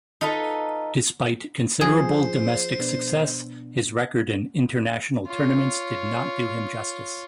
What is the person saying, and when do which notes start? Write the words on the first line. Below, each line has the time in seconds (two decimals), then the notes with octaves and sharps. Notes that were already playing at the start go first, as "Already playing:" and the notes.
Despite considerable domestic success, his record in international tournaments did not do him justice.
0.21 D#4 F4 A4 B4 D#5
1.81 F3 F4 G#4 C5
2.79 B2 B3 D4
5.27 F4 C#5